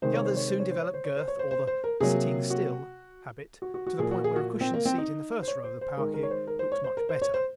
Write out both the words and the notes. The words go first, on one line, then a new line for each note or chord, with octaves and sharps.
The others soon develop girth or the "sitting still" habit to the point where a cushioned seat in the first row of the parquet looks much better.
C3 D#3 G#3 C5
C#5
C5
C#5
C5
C#5
C5
C#5
C5
C#5
C5
C#5
C5
C5
C5
A#4
C3 F#3 A#3 G#4
F#4
F#4
F#4
F#4
A#2 F3 A#3 G#4
F#4
G#4
F#4
C4
A#3
C4
D#4
C5
C#5
C5
C5
D#3 G#3 A#4
A#4
C#5
C5
A#4
C5
C#5
C5
A#4
C5
C#5
C5